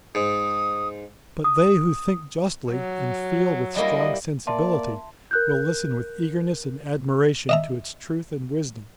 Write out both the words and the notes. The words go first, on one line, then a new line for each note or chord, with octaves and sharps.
But they who think justly, and feel with strong sensibility, will listen with eagerness and admiration to its truth and wisdom.
G#2 D#6
D#6
F#3
G3 A#3 E4 D#5
A#3 D5 E5 A5 C6
A#4 F#6 G6
D#5 E5 A#5